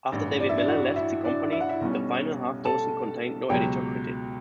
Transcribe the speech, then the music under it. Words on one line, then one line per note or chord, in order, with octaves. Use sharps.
After David Miller left the company, the final half-dozen contained no editor credit.
A1 G2 E3
D5
E5
D4 D5
F#4 F#5
E4 E5
D4 D5
E5
F#5
E4 E5
B1 B2 G3 C#4
A4 A5
C#2 B2 F#3 G4 G5